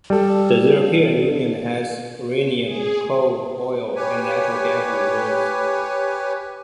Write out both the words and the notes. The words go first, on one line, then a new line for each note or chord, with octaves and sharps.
The European Union has uranium, coal, oil, and natural gas reserves.
G3 A4
G#4
G4 B4 C#5 G#5